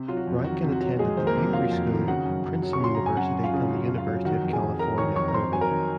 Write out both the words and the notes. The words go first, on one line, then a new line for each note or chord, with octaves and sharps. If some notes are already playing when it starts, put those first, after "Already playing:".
Reiken attended the Pingry School, Princeton University and the University of California, Irvine.
Already playing: C3
F#3 F4
F#4
F2
D#3 F#4
C3
F#4
F#3
F2 G#3 G#4
D#3 C5
A#3 A#4
C3
F#3 F4 F5
F2
D#3
C#3 F#4 F#5
F#2
F#2
F#3
C#6
C#3 C6
F#2 A#5
G#5
F#2 F#4 F#5
F#3
F4 F5
C#3
F#2
F#2
F4 F5
F#3
D#3 F#4 F#5
F2
G#4 G#5
F2
F#3 A#4 A#5
D#3 C#5 C#6
F2 C#5 C#6
A#5
F2 C5 C6
F#3 G#5
A#4 A#5
D#3